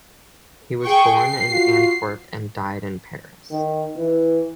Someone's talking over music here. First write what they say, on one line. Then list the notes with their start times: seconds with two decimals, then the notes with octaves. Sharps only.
He was born in Antwerp and died in Paris.
0.83 G#4 G5 C#6
1.18 C7
1.50 F4 F#4
3.51 D#3
3.97 E3